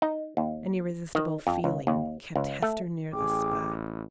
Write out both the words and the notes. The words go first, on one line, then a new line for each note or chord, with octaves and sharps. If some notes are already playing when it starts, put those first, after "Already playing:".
An irresistible feeling kept Hester near the spot.
D#4
D#2
D#3
F2
C#2
D#2
C#2
A3
A1 G#4 G5 D6